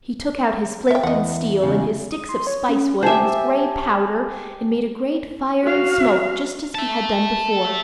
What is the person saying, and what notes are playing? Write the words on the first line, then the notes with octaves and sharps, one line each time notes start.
He took out his flint and steel, and his sticks of spice-wood and his gray powder, and made a great fire and smoke just as he had done before.
E5 G5
E2 D#5 F#5
E2 C#3
D#6
C6
C#5
C#4
G4 C5 E5 G#5 A5
F#4 F5
E5 A5